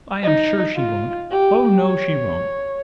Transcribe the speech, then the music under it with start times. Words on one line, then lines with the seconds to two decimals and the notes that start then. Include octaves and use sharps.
I am sure she won't. Oh, no, she won't.
0.23 D#4
0.76 F4
1.31 G4
1.85 C#5